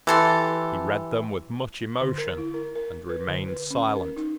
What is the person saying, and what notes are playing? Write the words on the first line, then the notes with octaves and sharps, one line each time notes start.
He read them with much emotion, and remained silent.
E3 G4 A4 C6
D3
A#4
E4
A#4
A#4
B4
D3
B4
C#4
A#4
D#4